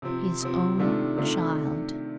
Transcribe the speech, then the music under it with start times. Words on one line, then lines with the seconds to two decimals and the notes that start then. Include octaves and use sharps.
His own child!
0.02 C3 F3 C4
0.41 C3 F3 C4
0.78 C3 D#3 A3 D4 F4
1.17 C3 D#3 A3 D4 F4